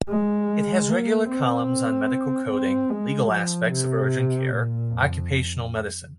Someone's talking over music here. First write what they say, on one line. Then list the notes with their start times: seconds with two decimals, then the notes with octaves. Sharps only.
It has regular columns on medical coding, legal aspects of urgent care, occupational medicine.
0.09 G#3
0.89 A#3
1.29 C4
2.50 C4
2.90 G#3
3.29 F3
3.70 C3
4.50 A#2
4.91 F2